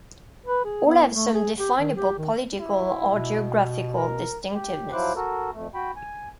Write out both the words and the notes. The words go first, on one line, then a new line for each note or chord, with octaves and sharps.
All have some definable political or geographical distinctiveness.
B4
G#4
B3
A3
G#4
G4
D#3
G4
D#3
E4
B2
A#4
G4
F3 F#3 E4 C5 D6 F#6
F#4 A4 A#4
F2 A3
F#4 G5 B5
G#5